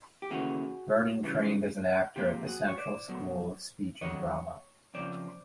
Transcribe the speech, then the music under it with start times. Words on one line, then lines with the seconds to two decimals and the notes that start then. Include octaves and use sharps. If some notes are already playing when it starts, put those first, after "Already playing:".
Vernon trained as an actor at the Central School of Speech and Drama.
0.22 G4
0.31 D#2 C#3 E3 A3 C#4 F#4 G#4
1.24 C#3 E3 G3
2.16 A#2 F3 G#3 C4 F4 G4
2.47 F#4 G#4
2.67 C#5
2.78 C5 D5
3.08 B2 F#3 A3
4.01 C3 D#3 F#3 A3 D4 C#5 D#5
4.94 F2 C#3 F3 C5 D5